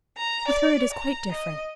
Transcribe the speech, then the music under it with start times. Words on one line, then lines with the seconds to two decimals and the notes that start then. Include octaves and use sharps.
With her it is quite different.
0.16 A#5
0.49 D5
0.93 A#5
1.31 D#5